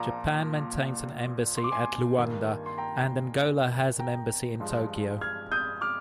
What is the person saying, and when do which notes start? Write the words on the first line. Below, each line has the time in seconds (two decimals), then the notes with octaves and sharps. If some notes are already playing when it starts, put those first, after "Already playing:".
Japan maintains an embassy at Luanda and Angola has an embassy in Tokyo.
Already playing: A#1 A#2 F3 A#5 D6
1.57 C6
1.64 D6
1.72 G#5 C6
2.17 G2 D#3 A#3
2.66 C6
2.78 G5 A#5
3.99 G5 A#5
4.60 G2 F3 G#3
5.21 F6 G#6
5.52 D#6 G6
5.81 D6 F6